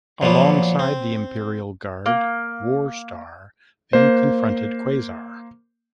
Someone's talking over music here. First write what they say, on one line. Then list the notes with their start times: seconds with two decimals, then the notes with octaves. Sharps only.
Alongside the Imperial Guard, Warstar then confronted Quasar.
0.21 A#2 F3 F#3 A#3 B3
0.79 C4
2.06 A#3
3.93 A#3 C5